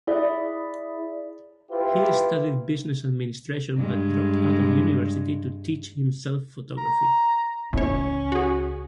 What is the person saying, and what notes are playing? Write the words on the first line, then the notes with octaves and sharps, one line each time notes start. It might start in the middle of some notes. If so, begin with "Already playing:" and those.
He studied business administration but dropped out of university to teach himself photography.
E4 G#4 D5 E5
E4 F4 G4 B4
G2 G#3
A#5
C#2 A2 C#4 F4 C#5
F#4 G#4